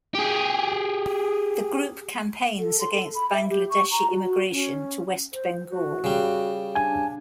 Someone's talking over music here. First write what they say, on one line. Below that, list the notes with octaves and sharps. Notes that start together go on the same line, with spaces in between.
The group campaigns against Bangladeshi immigration to West Bengal.
G4 G#4
A4
C6
A4
B5
E5
G4
C#6
A#5
F#4
F#4
C#4
C5
F#4
C#3 G3
D4 G#5